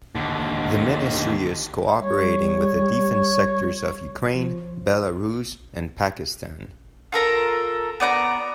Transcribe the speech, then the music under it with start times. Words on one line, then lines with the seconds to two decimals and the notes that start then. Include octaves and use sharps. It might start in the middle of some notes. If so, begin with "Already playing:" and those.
The ministry is cooperating with the defense sectors of Ukraine, Belarus and Pakistan.
0.15 D#2 D3
1.97 G3 C#5
4.33 F3
7.12 F4 A4 A#4 A#5
8.00 B3 D5 F#5 A#5